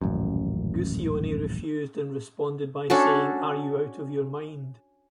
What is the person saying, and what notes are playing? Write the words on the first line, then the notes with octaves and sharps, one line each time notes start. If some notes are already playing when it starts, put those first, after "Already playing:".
Guccione refused and responded by saying Are you out of your mind?
D#1 A1 F#2
C#4 D4 F#4 A4